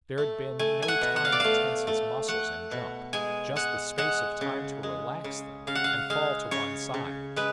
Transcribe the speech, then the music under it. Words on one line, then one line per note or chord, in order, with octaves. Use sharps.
There had been no time to tense his muscles and jump, just the space of time to relax them and fall to one side.
A3
A3 G#5
G#5
F#5
B2
F#5
F5
D5
A3 F5
A3
A3 F#5
B2
G#3 G#5
G#3 F#5
G#3 F#5
C#3
G#3
C#3
C#3 F5
F#5
F5
G#3 F5
C#3 C#5
C#3
G#3 B4